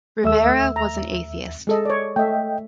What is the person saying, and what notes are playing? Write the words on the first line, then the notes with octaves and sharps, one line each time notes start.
Rivera was an atheist.
D#2 A3 E5 E6
A#5
G#3 A4 D#5
C#5 D5
A3 D#5 E5 G5